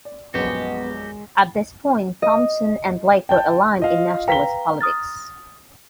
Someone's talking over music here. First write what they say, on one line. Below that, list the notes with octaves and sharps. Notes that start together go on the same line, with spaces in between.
At this point Thomson and Blake were aligned in nationalist politics.
D5
A#1 F#2 G#3 B3 F#4 G4 D#5
D#5
G5 A5 G6
F4 D#5 F5
B4 F5 G5 A#5 B6 G7
D#6 F6 A6